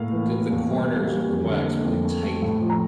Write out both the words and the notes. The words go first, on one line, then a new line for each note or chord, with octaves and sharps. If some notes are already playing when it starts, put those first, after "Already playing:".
did the corners of the wax really tight,
Already playing: A2 A#3 F5
E3
A#3
E2
G3
A#3
G3
F2
D3
A#3
F2
A3
A3
A2
F3
A#5